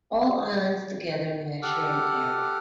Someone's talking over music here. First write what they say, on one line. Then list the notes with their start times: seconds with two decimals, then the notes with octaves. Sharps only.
All islands together measure in area.
1.62 G4 A4 F#5 D6 F6